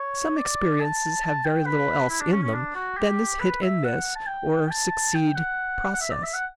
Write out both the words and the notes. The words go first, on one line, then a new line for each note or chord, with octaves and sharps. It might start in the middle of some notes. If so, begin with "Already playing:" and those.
Some experiences have very little else in them than this hit and miss or succeed process.
Already playing: C#5
D5
A5
A5
G5
B4
E4
D4
C#4
C#4
D4
F#4
G4
B4
E5
F#5
A5
G5
G5
A5
G5
F#5
F#5
E5
D5
E5
F#5